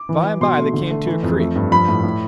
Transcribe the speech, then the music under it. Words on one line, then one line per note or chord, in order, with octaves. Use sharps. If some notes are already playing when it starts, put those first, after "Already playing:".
By and by they came to a creek.
Already playing: D6
E3
E3
B2 C6
A3
D3
A3
E3
F2
A3
G2
F3 B5
A2
A2